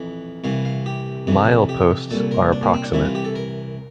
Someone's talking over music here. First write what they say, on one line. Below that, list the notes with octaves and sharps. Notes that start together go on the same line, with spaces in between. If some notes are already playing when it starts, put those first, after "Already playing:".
Mileposts are approximate.
Already playing: F2 E3
C2 C3 E3 F5
F5
G4
F2 C3 E3
G4
C2 A#2 A4
A#4
D4
A#3
C4
D4
C2 C3 E3 E4
F4
G4
A4
A#4